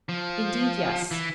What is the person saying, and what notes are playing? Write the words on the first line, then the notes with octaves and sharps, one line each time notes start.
'Indeed, yes.
F3
E3